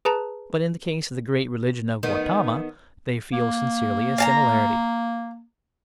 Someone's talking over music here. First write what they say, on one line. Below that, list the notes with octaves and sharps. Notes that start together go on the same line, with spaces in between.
But in the case of the great religion of Gautama they feel sincerely a similarity.
G#4 B4 A5 A#5
D#3 B3
A#3
F5 A5 A#5